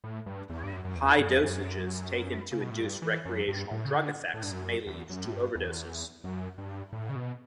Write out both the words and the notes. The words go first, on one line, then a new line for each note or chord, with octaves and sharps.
High dosages taken to induce recreational drug effects may lead to overdoses.
A2
G2
E2
G2
F#2
F#2
E2
G2
F#2
E2
F#2
C#3
B2
A2
G2
E3
F#2
G2
A2
C#3
D3
A2
G2
F#2
E2
F#2
A2
G2
E2
F#2
G2
A2
C#3
B2